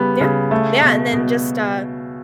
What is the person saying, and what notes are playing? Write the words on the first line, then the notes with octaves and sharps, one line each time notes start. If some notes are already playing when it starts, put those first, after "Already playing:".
Yeah. Yeah, and then just, uh,
Already playing: C#3 G3 B3
C#3
A3
B2
B2